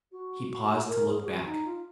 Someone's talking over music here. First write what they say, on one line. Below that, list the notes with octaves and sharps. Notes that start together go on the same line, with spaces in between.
He paused to look back.
F#4
A#4
G#4
F#4
D#4
F4